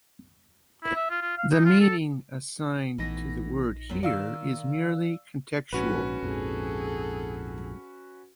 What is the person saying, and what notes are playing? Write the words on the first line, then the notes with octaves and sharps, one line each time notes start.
The meaning assigned to the word here is merely contextual.
E4
E5
F4
F4
F5
D#4
F4
A4
A#1 E3 A3 B3 D#4 A#6
F#2 B3 C5
D#3 D5 F5 E6
A#1 G#2 C#4 F#4 B4
A#1 F2 G#2 G#4 A4